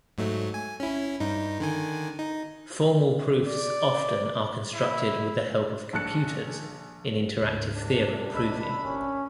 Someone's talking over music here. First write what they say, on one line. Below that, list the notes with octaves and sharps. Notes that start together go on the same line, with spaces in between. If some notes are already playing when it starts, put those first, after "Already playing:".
Formal proofs often are constructed with the help of computers in interactive theorem proving.
G#2 F#3 A3
G#5
C#4 E4
G2 D#4
D3 D#3 G#5
D#4
D5
E4
A#1 A5 F#6 C#7
D2 G#2 C#3
F#2 C3 D4
C#2 D#5 B5 E6
G1 C#4